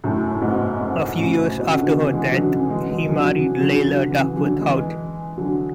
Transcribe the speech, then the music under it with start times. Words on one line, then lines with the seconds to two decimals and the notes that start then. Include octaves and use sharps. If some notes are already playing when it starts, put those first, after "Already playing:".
A few years after her death, he married Leila Duckworth Houghton.
0.04 F#2 A2
0.31 A2
0.42 G#2 B2
0.80 G#2
1.18 A2 C#3
1.59 B2
1.68 C#3
1.76 B2 D3
1.94 C#3 E3
2.14 E3 G#3
2.32 D3 F#3
2.52 C#3 E3
2.70 E3 G#3
2.90 E3 G#3
3.09 D3 F#3
3.25 F#3
3.34 C#3 E3
3.60 D3 F#3
3.85 D3 F#3
4.10 C#3 E3
4.36 D3 F#3
4.61 E3 G#3
5.37 D3 F#3